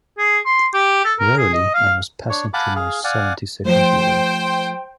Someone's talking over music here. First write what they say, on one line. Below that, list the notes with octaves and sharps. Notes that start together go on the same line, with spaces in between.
Verily I was passing through my seventy-second year.
G#4
C6
G4
A4
A#4
G#4
D#5
F5
D4 C#5
F5 F#5 G#5 A5 B5 D6
G#4 F5
D5 F5 F#5 G#5
F3 A3 C5 G5